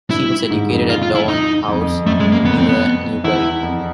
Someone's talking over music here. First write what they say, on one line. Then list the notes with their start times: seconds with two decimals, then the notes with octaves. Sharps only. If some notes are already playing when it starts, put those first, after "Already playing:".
She was educated at Downe House, near Newbury.
0.10 G2 E4
0.50 G#2
0.69 F2
0.90 F4
1.02 F4
1.15 E4
1.28 D#4
1.68 F2
1.81 F2
2.06 F#2 A3
2.20 G#3
2.32 A#3
2.46 F2 B3
2.58 C4
2.69 B3
3.24 E2 E4
3.63 F2